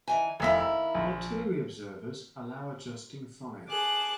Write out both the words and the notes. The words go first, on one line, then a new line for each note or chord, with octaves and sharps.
Artillery observers allow adjusting fire.
D#3 E3 G#5
F1 D#3 A#3 E4 E5
E6
A#1
G#4 A5 D6 F#6